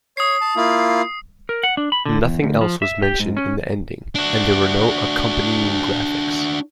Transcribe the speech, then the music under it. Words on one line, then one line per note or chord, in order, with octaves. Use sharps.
Nothing else was mentioned in the ending and there were no accompanying graphics.
C#5 D#6 C7
A5
A#3 E4 F4
A#4
F#5
D4
B5
D3
E2
D2
F3
E5
G4
G#2
C#4
D4 F#4